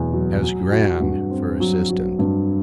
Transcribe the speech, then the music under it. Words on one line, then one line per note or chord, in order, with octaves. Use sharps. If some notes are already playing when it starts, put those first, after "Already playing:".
He has Gran for assistant.
Already playing: E2 B2 F#3
F#3
F#3
F#4
G2
C4
F#3
F#3
G2